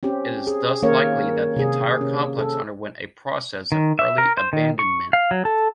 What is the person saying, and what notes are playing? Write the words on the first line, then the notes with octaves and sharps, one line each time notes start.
It is thus likely that the entire complex underwent a process of early abandonment.
C4 C#4 G4
G#4
D#3 A#3 C#4 G#4 A#4 C#5
C3 G#4
C#4
A4
D#3
E5
A#4
C5
D#3
C#6
F5
F#3
A4